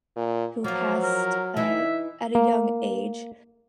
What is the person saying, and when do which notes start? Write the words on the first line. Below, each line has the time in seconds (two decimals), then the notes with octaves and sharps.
who passed, uh, at a young age,
0.16 A#2
0.64 F3 F#3 A#3 F4
1.03 A#4
1.57 E3 D#4 E4 E5
2.35 A#3